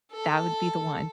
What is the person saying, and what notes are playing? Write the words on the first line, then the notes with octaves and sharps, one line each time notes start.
that would be the one.
A4